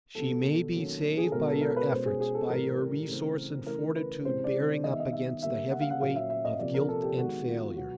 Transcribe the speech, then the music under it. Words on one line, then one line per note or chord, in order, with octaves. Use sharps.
She may be saved by your efforts, by your resource and fortitude bearing up against the heavy weight of guilt and failure.
B2 G3 B3 A4
D#3 F#3 A#3 C#4
G#4
A4
B2 G#3 B3 A#4
A4
A#4
B4
B2 G#3 C#4 C5
G#4
G#4
A4
A2 E3 G3 A#4
C#3 E3 A3 C4
C#3 E3 A3 A#4
B4
C3 E3 G#3 C#4 C5
D5
D5
D#3 G3 B3 D#5
E5
D#5
E5
D3 G3 A#3 E5
F#5
F5
F#5
A#2 F#3 A#3 C#4 F5
E5
E5
D#5
C3 F3 A#3 D5
A#4
A4
G4
D#3 G#3 B3 F#4
F4
B2 F#3 B3 F#4